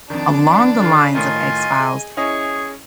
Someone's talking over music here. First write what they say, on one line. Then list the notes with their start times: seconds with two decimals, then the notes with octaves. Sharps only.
along the lines of X-Files.
0.10 F2 D#3 D4 D5
0.81 D3 F4
1.15 A2 D#3 F4 D#5 G#5
1.80 G#4
2.17 C#4 E4 G#4 D#5 C#6